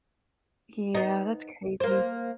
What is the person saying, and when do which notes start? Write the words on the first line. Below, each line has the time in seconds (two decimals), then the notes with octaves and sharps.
Yeah, that's crazy.
0.95 B3 D#4
1.80 A#3 C5